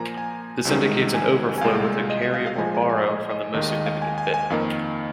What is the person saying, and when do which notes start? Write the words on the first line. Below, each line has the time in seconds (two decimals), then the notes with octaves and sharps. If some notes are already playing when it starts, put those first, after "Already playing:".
This indicates an overflow with a "carry" or "borrow" from the most significant bit.
Already playing: A#2 F3 A#3 G#5 A#5
0.18 G#5
0.65 C2 C3 D#3 G#3
1.14 G#5
1.58 G#5
1.61 C2 A#2 G#3 F5
2.10 D#5
2.22 D#5
2.34 F5
2.46 F5
2.58 A#2 F3 G#3 G#5
2.75 G#5
2.90 G#5
3.06 D#5
3.30 D#5
3.54 D#2 D#3 G#3 D#5
3.70 D#5
3.86 F5
4.02 G#5
4.18 G#5
4.34 G#5
4.50 F2 D#3 A#3 F5